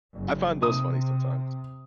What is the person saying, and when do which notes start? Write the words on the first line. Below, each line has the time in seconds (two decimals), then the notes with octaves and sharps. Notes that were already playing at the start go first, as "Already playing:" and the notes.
I I find those funny sometimes.
0.14 F#1
0.62 C3 D#6